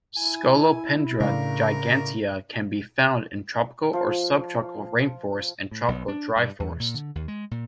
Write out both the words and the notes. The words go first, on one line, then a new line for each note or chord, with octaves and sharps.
"Scolopendra gigantea" can be found in tropical or sub-tropical rainforest and tropical dry forest.
E4 G#5
A2 C#3 D4 A#4 F5
F3 F5
A2
B1
D4
G2
E2
A#2
D3
D#2
G#3
A#2